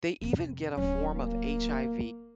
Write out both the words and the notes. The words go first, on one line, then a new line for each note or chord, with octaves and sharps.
They even get a form of HIV
F2 C3
D1 F#3 C#4
A#3